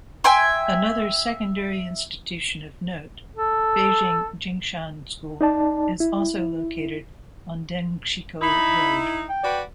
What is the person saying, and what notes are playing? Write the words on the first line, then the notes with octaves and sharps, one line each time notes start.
Another secondary institution of note, Beijing Jingshan School, is also located on Dengshikou Road.
E5 G5 G#5 C6
A4
D#4 D5 A5
E4
D#4 E4 B5
G5
F#4 B4 D5